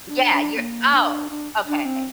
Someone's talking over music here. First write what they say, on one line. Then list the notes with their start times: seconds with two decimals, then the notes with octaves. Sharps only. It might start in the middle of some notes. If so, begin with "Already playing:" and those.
yeah you're oh, okay.
0.08 D4
0.32 D4
0.57 A#3
0.94 D4
1.30 D4
1.67 D4
1.85 C4